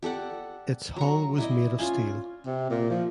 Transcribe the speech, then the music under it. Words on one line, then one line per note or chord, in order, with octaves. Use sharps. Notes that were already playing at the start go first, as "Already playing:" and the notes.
Its hull was made of steel.
G4 A4 D5 F#5
F#3 A#5 C#6
E4 D5 D#5
C#4 F4 G#5
C3
A#2
F3